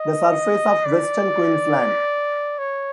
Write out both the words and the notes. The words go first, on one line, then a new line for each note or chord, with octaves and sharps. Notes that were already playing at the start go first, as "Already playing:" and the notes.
The surface of western Queensland.
Already playing: D#5
D5
C#5